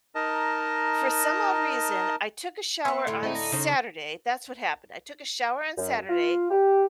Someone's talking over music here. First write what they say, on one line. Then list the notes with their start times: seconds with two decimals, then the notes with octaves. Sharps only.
for some odd reason, I took a shower on Saturday- that's what happened- I took a shower on Saturday,
0.15 D#4 A#4 D#5 A5
2.85 B3 E5 F#5 C6 E6
3.07 A2 D3 A3
3.24 A3 C4 E4 D#5 A#5
3.35 A#6
3.52 C#3 C#4 D#4 C5 D#5 A#5
5.77 F#2
6.09 F4
6.51 G4